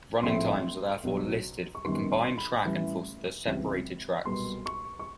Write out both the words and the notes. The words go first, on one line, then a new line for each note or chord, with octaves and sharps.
Running times are therefore listed for the combined track and for the separated tracks.
A#1 A2 F3 A3 C4 C6
B1 B2 F#3 B3
C#6
F#2 D#3 G3 B3 C6
C6
B5
A1 A2 E3 G3
C#2 C3 E3 G3 C4
B1 A#2 G3 B3 C6
C#6
C#6